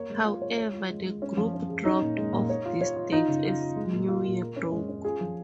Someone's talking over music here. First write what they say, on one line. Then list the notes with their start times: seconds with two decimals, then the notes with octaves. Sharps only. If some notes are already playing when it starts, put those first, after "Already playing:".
However, the group dropped off these dates as new year broke.
Already playing: A#3 C#5
0.10 G#3
0.25 F4
0.42 C#5
0.58 C#5
0.73 F4
0.90 G#3
1.06 G#3
1.22 C#4
1.37 F3
1.54 C#4
1.69 G#4
1.85 C#4 D#4
2.01 A#2
2.17 G#3
2.33 A#2
2.50 C#5
2.66 F4
2.81 C#5
2.96 F4
3.12 D#4 F4
3.28 C#3
3.45 F4
3.61 F4
3.76 G#3
3.93 A#2
4.09 F4
4.24 A#2
4.40 A#4
4.56 C#4
4.72 G#3
4.89 C#4
5.04 F4 G#4
5.21 F3